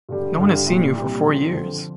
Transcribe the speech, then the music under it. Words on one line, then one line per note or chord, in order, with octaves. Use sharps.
No one has seen you for four years.
G2 D3 G3
G2 D3 G3
C2 A#2 G3
C2 A#2 G3
F2 D3 F3 C4
F2 D3 F3 C4